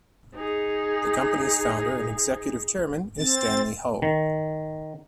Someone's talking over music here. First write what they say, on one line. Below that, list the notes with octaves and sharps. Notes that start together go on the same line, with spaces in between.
The company's founder and executive chairman is Stanley Ho.
D#4 G#4
C4 A6
D#3